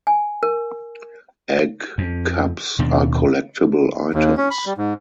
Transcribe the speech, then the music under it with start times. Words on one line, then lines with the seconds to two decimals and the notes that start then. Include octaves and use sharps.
Egg cups are collectible items.
0.07 G#5
0.43 A#4
1.98 F2
2.79 D#2 B2 D#3 D4
4.14 D#2
4.37 C#4
4.50 B5
4.66 G3
4.78 G#2